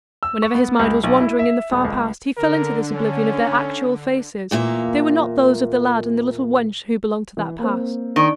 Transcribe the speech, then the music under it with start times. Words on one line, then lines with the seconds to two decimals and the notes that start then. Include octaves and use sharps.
Whenever his mind was wandering in the far past, he fell into this oblivion of their actual faces; they were not those of the lad and the little wench who belonged to that past.
0.23 E6
0.42 C#6
0.55 B3
0.80 C#2
1.04 B1
1.21 E4
1.39 E5
1.71 D#1
1.85 C#2
2.37 D3 A#4
2.94 C#4
4.51 E2 A#2 A#3 E5
7.37 E3
7.59 A#3 C4
8.16 D#3 D4 D#4 D5